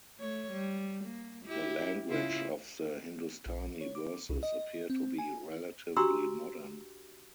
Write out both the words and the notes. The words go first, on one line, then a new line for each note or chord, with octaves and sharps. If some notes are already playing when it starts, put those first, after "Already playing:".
The language of the Hindustani verses appear to be relatively modern.
A3 C#5
G3
A#3
E4 G4
C#3 E4 F4
A#1
C#5
D6
C2
D#5
C4
G#5
D4 F#4 G4 A#5 C6 E6